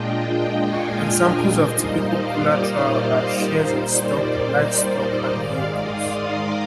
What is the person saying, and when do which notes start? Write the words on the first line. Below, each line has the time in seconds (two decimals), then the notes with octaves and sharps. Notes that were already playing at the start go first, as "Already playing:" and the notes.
Examples of typical collateral are shares of stock, livestock, and vehicles.
Already playing: A#2 G#3 D4 F4 D#5 G5
0.18 D#5 G5
0.64 F5 G#5
0.95 D#5 G5
1.26 D#5 G5
1.57 A#2 G3 A#3 D#4 C5 D#5
2.03 D5 F5
2.50 C5 D#5
2.97 D5
3.43 A#2 G3 A#3 D#4 C5
3.89 D5
4.36 C5
4.67 C5
4.98 C5 D#5
5.29 G#2 D#3 G#3 D5 F5
5.75 C6 D#6
6.22 A#5 D6